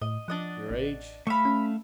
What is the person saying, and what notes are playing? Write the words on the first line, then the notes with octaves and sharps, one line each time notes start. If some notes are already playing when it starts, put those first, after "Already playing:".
"Your age?"
A2 D#5
F3 D4 D#5 F#5
A1
A3 E5 F5 B5 C#6
C#4